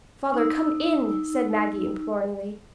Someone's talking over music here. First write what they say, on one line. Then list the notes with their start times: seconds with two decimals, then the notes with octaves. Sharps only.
"Father, come in!" said Maggie, imploringly.
0.34 D#4 E6